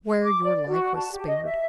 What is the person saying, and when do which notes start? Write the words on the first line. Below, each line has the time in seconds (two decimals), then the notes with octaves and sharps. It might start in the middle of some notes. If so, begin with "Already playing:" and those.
Where your life was spared!
0.23 D6
0.45 D5
0.69 F#4
0.96 A5
1.14 G4
1.28 D#5
1.44 E5